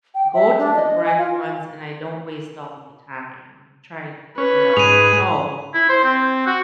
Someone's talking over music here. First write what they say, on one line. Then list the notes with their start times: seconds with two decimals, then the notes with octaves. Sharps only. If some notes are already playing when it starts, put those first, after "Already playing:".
go to the correct ones, and I don't waste all my time trying to figure out where to go,
0.15 G5
0.34 E5
0.58 D4
0.75 D#5
1.06 G#5
1.18 F4
4.38 C#4 B4
4.77 G#2 G#4 D#7 F7
5.74 E4
5.89 C5
6.04 C4
6.47 F#4